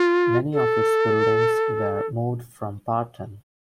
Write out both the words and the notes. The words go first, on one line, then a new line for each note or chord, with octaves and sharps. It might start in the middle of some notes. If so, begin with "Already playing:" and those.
Many of its buildings were moved from Parton.
Already playing: F4
A4